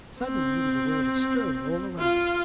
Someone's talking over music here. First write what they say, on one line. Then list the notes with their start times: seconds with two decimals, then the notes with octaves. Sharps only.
Suddenly he was aware of a stir all around.
0.22 C4
1.98 F4